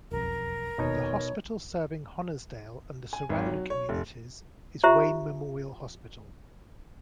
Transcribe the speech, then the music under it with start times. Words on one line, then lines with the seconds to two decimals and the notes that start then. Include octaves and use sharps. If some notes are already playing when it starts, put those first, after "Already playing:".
The hospital serving Honesdale and the surrounding communities is Wayne Memorial Hospital.
0.11 E1 B1 F2 A#4
0.78 F1 D#2 B2 D#4 C#5
3.13 G#5
3.29 G#1
3.46 F#3
3.70 C#5
3.89 F1
4.84 F4 G4 C5 E5 A#5